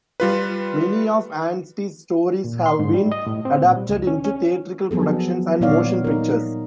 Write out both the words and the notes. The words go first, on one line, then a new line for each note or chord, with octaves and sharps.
Many of Anstey's stories have been adapted into theatrical productions and motion pictures.
G3 F4 B4
A#2
C6
G#2
G3
D#5
A2
C4
A#2
G3
C#2
C#4
C#4
F3 F#3 B3 G#4 A4
A#2 G3 B3 C#5 D5 F5
D#4 A#4